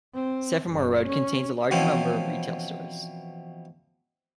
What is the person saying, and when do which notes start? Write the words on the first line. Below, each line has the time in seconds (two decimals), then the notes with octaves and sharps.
Semaphore Road contains a large number of retail stores.
0.15 C4
0.67 F#1
1.06 C#4
1.71 B2 E3 F3 C4 C#4